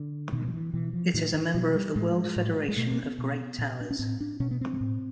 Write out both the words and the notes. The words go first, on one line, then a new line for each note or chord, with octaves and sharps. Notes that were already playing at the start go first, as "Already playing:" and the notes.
It is a member of the World Federation of Great Towers.
Already playing: D3
B2 D#3
F3
E3
B2 E3
F3
A2 D#3
D#3
B2 F#3
G3
A2 G#3
A2
G#3
B2 A3
A#3
B3
B2
A#2
D4
C#4
A2 C4
D4
B2 C#4
B3
C4
A2